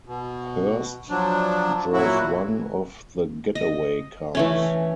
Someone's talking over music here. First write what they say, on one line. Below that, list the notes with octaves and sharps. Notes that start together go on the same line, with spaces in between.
Hearst drove one of the getaway cars.
B2
F3 F#3 D4
A#2 F#3 E4 F#4
D#5
E3 A3 C#4